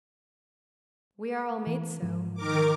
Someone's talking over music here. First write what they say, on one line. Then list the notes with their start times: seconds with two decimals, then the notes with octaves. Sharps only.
We are all made so.
1.67 E3
2.02 G#2 F3
2.34 D#3 A#4 D6